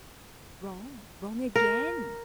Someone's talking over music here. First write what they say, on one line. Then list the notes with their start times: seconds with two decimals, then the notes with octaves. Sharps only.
'Wrong, wrong again.
1.56 A#4